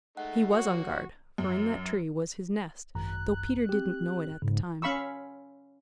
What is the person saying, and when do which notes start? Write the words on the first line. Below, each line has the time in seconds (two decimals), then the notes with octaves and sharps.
He was on guard, for in that tree was his nest, though Peter didn't know it at the time.
0.17 G#3 A3 D#4 F#5
0.51 A#3 F#4 C#5
1.38 F#2
2.95 G#1 F#2 A#5 F#6
3.69 C4 G4
4.42 G#2 C#3
4.82 C#4 F5 B5 C#6 E6